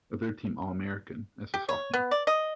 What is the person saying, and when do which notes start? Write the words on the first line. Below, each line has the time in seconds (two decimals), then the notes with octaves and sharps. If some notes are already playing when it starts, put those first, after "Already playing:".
A third-team All-American as a sophomore.
1.54 G4
1.69 C#5
1.94 B3
2.11 D5
2.27 D#5